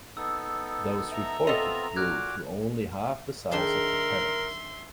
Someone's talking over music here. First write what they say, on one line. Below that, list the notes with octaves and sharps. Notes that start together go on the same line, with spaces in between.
Those reported grew to only half the size of the parents.
B3 D#4 A4 E6
E5 A#5
B3 C4 F4 A4 D#5 F7
A#2 F#4 D6 F6 F#6 G#6
D#3 D4 G#4 A#4 E5 C6